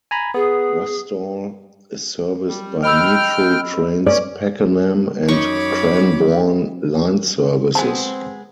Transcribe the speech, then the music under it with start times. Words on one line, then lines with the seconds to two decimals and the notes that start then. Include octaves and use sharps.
Westall is serviced by Metro Trains Pakenham and Cranbourne line services.
0.11 G#5 A#5 B5
0.34 B3 G#4
2.47 G3
2.83 D#5 G5 B5 E6 F6
4.06 C#4 D5
5.28 F#2 D#4 C#5 B5 C#6 D6
7.75 G#3 B3 C4 G#4 G#5 A5